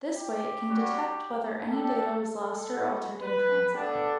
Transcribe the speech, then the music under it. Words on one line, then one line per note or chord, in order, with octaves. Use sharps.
This way it can detect whether any data was lost or altered in transit.
G4
G3 C#4 F#4
G3 D4 G4 A4
A4
B3 F#4
B4
B3 D4 G4 A4